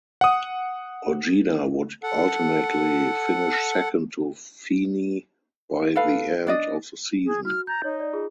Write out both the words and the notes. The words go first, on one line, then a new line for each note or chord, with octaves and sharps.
Ojeda would ultimately finish second to Feeney by the end of the season.
F#5 D#6
A4 F#5
A4 B4 F5
D4 D5 D#5
G#4
F#4 F6
A#5 G6 A6
D#4 C#5
D5
F4 G#4